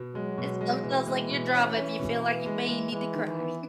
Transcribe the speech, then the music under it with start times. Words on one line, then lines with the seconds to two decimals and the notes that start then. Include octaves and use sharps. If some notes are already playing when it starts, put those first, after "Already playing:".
And sometimes like your drama if you feel like you may need to cry.
Already playing: B2
0.15 F#3 G#3
0.38 B2
0.61 G#3
0.83 B2 E3
1.07 G#3
1.31 B2
1.54 C#4
1.77 C#4
1.99 B2
2.23 B3
2.46 G#3
2.68 G#3
2.92 E3 G#3
3.14 D#3
3.27 E3
3.39 B3